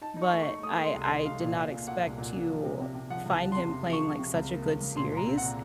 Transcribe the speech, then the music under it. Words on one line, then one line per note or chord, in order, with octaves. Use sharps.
but I I did not expect to find him playing, like, such a good series,
D#4 A5
D#4
C#6
A3
C#6
D#4
A3 D#6
A3
C6
C2
C6
D#4
C2 F5
A#2
A#2
A#2
A#2 F#5
C2
A#2
A#2
F3
C3
C3
C3
F3 F#5
C#2
A5
F3
C6
C3
C3
F3
C#6
F3
C3
C#2
A#3
C#2
C#2
A#2 C6
C2
A#5
C4
F#5
A#2